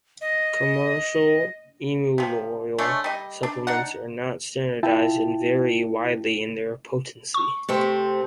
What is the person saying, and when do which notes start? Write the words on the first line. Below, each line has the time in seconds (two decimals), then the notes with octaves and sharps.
Commercial emu oil supplements are not standardized and vary widely in their potency.
0.21 D#5
2.18 C3 F3
2.78 G#3 A3 D4 C#5
3.04 G3 D#5
3.43 D4
3.67 D4 D#4 F#5
4.83 E4 F4 G5 A5
7.34 C#6
7.69 C3 A3 C4